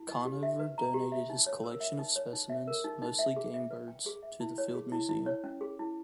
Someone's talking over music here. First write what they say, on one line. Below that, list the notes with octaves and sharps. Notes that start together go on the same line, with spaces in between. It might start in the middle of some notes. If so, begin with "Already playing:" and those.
Conover donated his collection of specimens, mostly game birds, to the Field Museum.
Already playing: E4
D#5
G4
E5
B4
A#5
G4
E5
D#4
C#5
A#4
E5
D#4
C#5
D#4
E5
A#4
D#4
D#4
E5
G#4
E5
B4
G5
G#4
E5
E4
C#5
G#4
E4
E4
C#5
C#4
G#4
E4